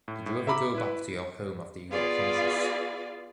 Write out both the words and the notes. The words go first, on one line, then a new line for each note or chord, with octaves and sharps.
Did you ever go back to your home after you got conscious?
A2
A2
E5 A#5 B5 D6
E4 B4
B3 F4 G#4 D5 F5